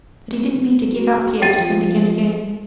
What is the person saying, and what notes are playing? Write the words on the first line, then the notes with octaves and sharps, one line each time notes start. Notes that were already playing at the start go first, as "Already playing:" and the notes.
But he didn't mean to give up yet, and began again.
F#4
G4 G5 A6 D#7
F3